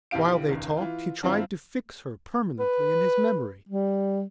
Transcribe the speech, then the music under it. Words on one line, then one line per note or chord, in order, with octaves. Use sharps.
While they talked he tried to fix her permanently in his memory.
B1 E3 G4 F5 D7
E1 C#2 D#3
E3 F4
G2 D#3 C4 E4 F4
B4
G3